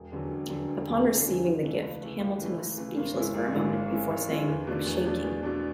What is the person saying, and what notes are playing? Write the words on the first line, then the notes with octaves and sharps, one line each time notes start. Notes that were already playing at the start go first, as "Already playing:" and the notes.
Upon receiving the gift, Hamilton was speechless for a moment, before saying I'm shaking.
Already playing: E1
E2 D3 F#3 C#4
E1
E2 D3 F#3 C#4
E1
E2 D3 F#3 C#4
E1
E2 D3 F#3 C#4
C#2
C#3 E3 A3
C#2
C#3 E3 A3
C#2
C#3 E3 A3
C#2
C#3 E3 A3
G#1
G#2 G#3 C#4 E4
G#1
G#2 G#3 C#4 E4
G#1
G#2 G#3 C#4 E4
G#1
G#2 G#3 C#4 E4
E2
B2 A3 D4
E2
B2 A3 D4
E2
B2 A3 D4